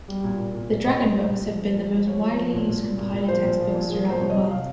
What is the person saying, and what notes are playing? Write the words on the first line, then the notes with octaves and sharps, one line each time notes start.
The dragon books have been the most widely used compiler textbooks throughout the world.
G3
A#2
A#2
A#2
A#2
A#2 D#5
G3
G3
A#2
F3
F3
F3
F3
F3 C#5
F3
F3
A#2
A#2
A#2
A#2
A#2
F3 C5
A#2
F3
A#2
F3 G#4
F3 C5
C3 C#5
D#5
C3
D#5
C3 F5